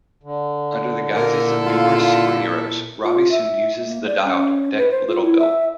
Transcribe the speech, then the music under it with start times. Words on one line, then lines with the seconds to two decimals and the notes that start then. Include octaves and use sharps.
Under the guises of numerous superheroes, Robby soon uses the dial to protect Littleville.
0.23 D3
1.16 A#2 A#3 E4 A4 A#4
1.66 F4 F5
3.03 F4
3.31 E5
3.85 A#3
4.07 D5
4.24 C#4
4.77 B4
4.91 C5
5.07 F4
5.22 E4
5.39 E5